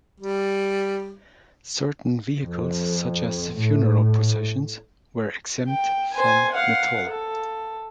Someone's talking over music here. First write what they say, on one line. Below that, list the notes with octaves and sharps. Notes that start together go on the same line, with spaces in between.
Certain vehicles, such as funeral processions, were exempt from the toll.
G3
F2
A2
G5
C5 G#5
F5 F#5
A4